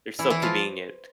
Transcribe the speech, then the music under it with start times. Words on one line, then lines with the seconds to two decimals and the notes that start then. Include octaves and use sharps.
they're so convenient,
0.19 E3 E4
0.30 E3 E4
0.42 F3 F4